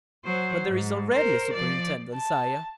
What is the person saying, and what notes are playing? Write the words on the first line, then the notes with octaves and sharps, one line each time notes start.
"But there is already a superintendent, sire."
F#3 C5
G#2
A#4 C5
F3 D5
A5